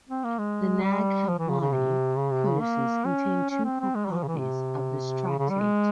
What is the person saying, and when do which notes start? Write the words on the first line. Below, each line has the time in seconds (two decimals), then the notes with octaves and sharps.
The Nag Hammadi codices contain two full copies of this tractate.
0.10 C4
0.24 A#3
0.39 G#3
0.83 G3
1.28 F3
1.39 E3
1.50 C#3
1.60 C#3
1.72 C3
2.17 C#3
2.32 C3
2.46 C#3
2.61 A#3
3.06 C#4
3.50 C#4
3.65 C4
3.80 C4
3.95 G#3
4.06 G3
4.11 E3
4.17 F3
4.24 C#3
4.28 E3
4.39 C3
5.28 C#3
5.39 C#3
5.50 G3
5.62 G#3